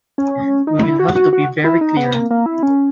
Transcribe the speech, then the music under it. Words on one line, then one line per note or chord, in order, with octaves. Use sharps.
We will have to be very clear.
C#4
D#4
E4
F#4
F#4
F#4
E4
D#4
B3
A#3
A#3
E4
C#4